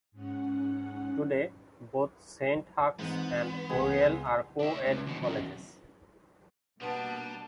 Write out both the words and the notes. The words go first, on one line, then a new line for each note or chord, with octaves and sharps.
Today both Saint Hugh's and Oriel are co-ed colleges.
G#2 C#4 F#5
G#2 E3 B3 C4 D#4
C#2 G#4 F#5
D4 E5
C#2 G#2
D#2 B2
F#2 D#3
B2 G3 A#3 B3 D4 A5